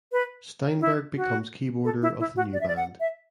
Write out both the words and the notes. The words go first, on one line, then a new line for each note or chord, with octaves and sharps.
Steinberg becomes keyboarder of the new band.
B4
E4
F#4
A4
E4
E4
F#4
D5
E5
D5
F#5
E5